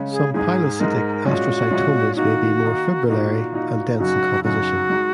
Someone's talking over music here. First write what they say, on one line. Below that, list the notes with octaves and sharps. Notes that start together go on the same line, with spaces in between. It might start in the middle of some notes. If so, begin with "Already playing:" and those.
Some pilocytic astrocytomas may be more fibrillary and dense in composition.
Already playing: C#3 G#3 C#4
G#4
G#2 G#3 D#4 G#4
G#2 G#3 D#4 A#4
A#2 G#3 C#4 F#4
A#2 G#3 C#4
D#3 A#3 D#4 F#4
D#3 A#3 D#4
A#2 A#3 D#4 F#4
A#2 A#3 D#4
F#2 C#3 F#3 D#4 F#4
F#2 C#3 F#3 D#4 F#4
G#3 D#4